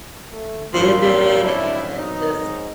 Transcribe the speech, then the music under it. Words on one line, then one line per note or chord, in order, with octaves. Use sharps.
vivid and just
A3
A1 G2 F3 A#3 C6
F#3 C4
D4 E4
B2 D#4
G#2